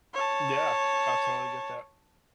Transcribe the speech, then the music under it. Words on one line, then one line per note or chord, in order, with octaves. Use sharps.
Yeah, I totally get that.
C#5 A5